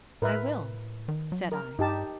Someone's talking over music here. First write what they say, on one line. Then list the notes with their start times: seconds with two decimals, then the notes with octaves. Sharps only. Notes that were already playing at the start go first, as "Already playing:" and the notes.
"I will," said I.
0.22 A2 A#4 B4 E5
1.08 D#3
1.32 F#3
1.52 A#4
1.79 G2 D#4 G4 A5